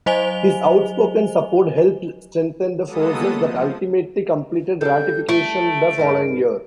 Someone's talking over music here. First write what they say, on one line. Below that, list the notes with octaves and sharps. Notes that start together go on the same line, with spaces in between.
His outspoken support helped strengthen the forces that ultimately completed ratification the following year.
F#3 C5 D#5 G#5 F7 G7
F#3 G#3 A#3 B3 A4 D#6
F3
G3 D4 A4 G6
A3 D7
G2 D#4 A#4